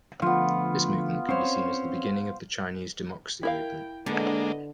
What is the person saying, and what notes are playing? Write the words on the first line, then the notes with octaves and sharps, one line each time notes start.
This movement can be seen as the beginning of the Chinese Democracy Movement.
D3 F3 A3 B3 F4
C4 C#4 C5 C#5 F5 C#6
E4 A#4 F5 G5
D3 G#3 A#3 B3 D4 D#5